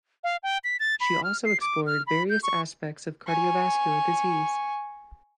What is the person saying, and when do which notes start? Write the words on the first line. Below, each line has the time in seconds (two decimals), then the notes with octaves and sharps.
She also explored various aspects of cardiovascular disease.
0.24 F5
0.43 G5
0.64 B6
0.80 A6
1.01 B5
1.24 F6
1.45 C7
1.61 D6
1.87 F6
2.07 B5
2.30 G6
2.43 C#6
3.27 G#5 C#6